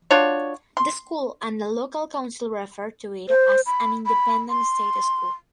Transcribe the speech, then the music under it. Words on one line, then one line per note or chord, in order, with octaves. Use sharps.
The school and the local council refer to it as an independent state school.
D4 F4 F#4 C#5
C6
C5
B5
B5
C6